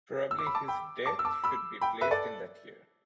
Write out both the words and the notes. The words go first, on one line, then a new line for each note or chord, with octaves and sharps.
Probably his death should be placed in that year.
E6
D6
B5
A5 D6
G5 B5
A5 D6
E6
A5 D6
B5 E6
G5 B5
B4 E5
A4 D5